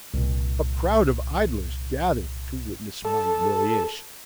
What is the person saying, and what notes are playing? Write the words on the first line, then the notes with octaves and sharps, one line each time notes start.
A crowd of idlers gathered to witness my humiliation.
C2 A#2
A4